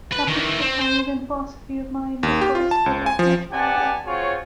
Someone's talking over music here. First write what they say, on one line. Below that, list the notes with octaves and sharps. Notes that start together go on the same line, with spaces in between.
Topics that fall within philosophy of mind, of course, go back much farther.
B4
D#3 E3
C4
C5
D#2
G4
F4
A5
C#2
G#5
F3
B3 G4 D5 F#5 G#5 A5
C4 F4 F#4 G#4 C#5